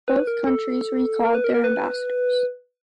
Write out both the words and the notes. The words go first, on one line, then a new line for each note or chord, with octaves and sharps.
Both countries recalled their ambassadors.
B4
A#4
A4
A#4
B4
A#4
A#4
B4